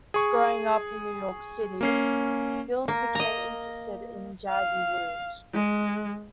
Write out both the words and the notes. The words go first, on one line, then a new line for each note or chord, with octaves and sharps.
Growing up in New York City, Geils became interested in jazz and blues.
G#4 C#6
A#3 C#4 C7
A#3
D#5 A#5
F5
G#3